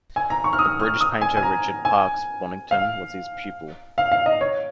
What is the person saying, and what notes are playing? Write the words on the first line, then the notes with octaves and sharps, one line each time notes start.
The British painter Richard Parkes Bonington was his pupil.
G#5
A#5
C#6
F6
D#6
F6
D#6
G#5
G#5
A#5
G#5
F5
F5
F5
D#5
C#5